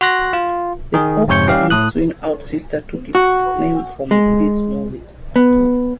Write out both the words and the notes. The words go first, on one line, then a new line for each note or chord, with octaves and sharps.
The pop band Swing Out Sister took its name from this movie.
F#4 C6 F#6 A#6
F4
D#3 G#4
F2 G#2 C3 C#5 G6 C#7
G3 C#4 G4 F5
A2 D#6 F#6
F#4
G#3
B3